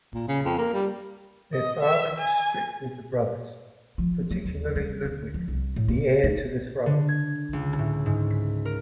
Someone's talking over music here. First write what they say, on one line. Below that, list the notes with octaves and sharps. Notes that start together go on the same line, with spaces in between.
Their father was strict with the brothers, particularly Ludwig, the heir to the throne.
A#2
C#3
F2
A#3
G3
D#5
E5
G#5
F3
F#3
D#2
G3
D2
F3
C2
A2
A#3
D#4
D3
G#6
C#2
A2
G#2
B6
A#4